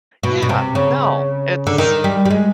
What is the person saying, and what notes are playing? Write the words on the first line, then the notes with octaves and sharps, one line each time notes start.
Yeah. No, it's
B2
B2
C3
C#3
D3
D#3
G3
G3
G#3